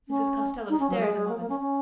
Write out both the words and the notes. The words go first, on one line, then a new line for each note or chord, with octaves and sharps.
Mrs. Costello stared a moment.
C#4
D#4
C#4
F#3
G#3
G#3
A#3
A#3
C#4
C#4